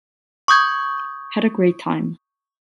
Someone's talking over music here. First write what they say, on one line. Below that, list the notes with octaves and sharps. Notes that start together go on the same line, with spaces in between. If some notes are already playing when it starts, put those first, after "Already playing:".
Had a great time.
C#6 D#6 G6 G#6